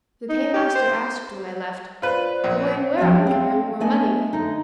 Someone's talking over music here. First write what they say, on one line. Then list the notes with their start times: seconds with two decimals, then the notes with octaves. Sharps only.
The paymaster asked, when I left, "Going where on can earn more money?"
0.29 D#4
0.54 G4
0.75 C5
2.02 F4 B4 C5 D5
2.44 A#1
2.98 F3 C4 D4 F#4 C#5 E5
3.27 C4 F5
3.80 A3 B3 D4 D#5 G#5
4.33 D3 D#4